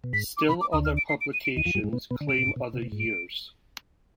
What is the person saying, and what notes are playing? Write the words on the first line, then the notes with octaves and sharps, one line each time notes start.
Still other publications claim other years.
B2
G#2 B6
D6
C3 B5
D6
D2 D3 D#6
F6
D7
C7
D7
D#7
D7
D#2 D#3 D#7
F2 F3
G2 G3
G#2 G#3
B2 B3
B2 B3
D3
C3 D7
B2
G#2
B2
C3
B2
G#2
D7